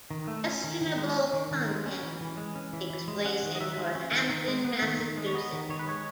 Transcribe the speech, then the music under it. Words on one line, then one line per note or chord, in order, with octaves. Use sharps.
"Questionable Content" takes place in Northampton, Massachusetts.
D#3
A3
C#4
D#3
D#3
G#3
C#4
D#3
D#3
G#3
C#4
E3
E3
G#3
C#4
E3
E3
G#3
C#4 F#5
D#3
D#5
D#3 E5
G#3
C#4
D#3
D#3
G#3
B3
D#3
D#3
G#3
C#5
B3 D#5
D#3
D#3 C#5
B4
G#3 C#5